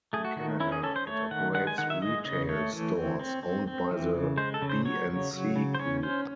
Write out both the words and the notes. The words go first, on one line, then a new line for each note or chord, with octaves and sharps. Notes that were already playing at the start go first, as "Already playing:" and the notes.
In Canada, it operates retail stores owned by the B and C Group.
A3 G#4
F#4
D#3 F#4
C#4 E4
G#4
C#4 A4
C5
A3 C#5
D#3 F#5
G#3 F#5
G#5
D#3 F#5
E5
G#3 D#5
C#3 D#5
A3 C#5
E3
C4
C4
C4
C4
E3
C#3
G#3 C5
A4
C#3
C5
F#3 C#5
C#3
F#3
C#3
C5
C#4 C#5
C#4 C5